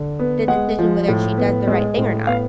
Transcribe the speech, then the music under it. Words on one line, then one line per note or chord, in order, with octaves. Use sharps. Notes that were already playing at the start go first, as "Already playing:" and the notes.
the decision whether she does the right thing or not.
Already playing: D3
B3
G#3 F#5
F3
A2
B3
G#3
A2
B3 F5